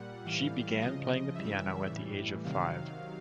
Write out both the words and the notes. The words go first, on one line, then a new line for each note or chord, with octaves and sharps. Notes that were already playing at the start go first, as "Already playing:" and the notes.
She began playing the piano at the age of five.
Already playing: A#2 G3 F#5
A2 E3 G3 F5
C#3 F3 D#5
C#3 E3 G3 E5
A2 E3 G3
C3 D#3 F#3 F5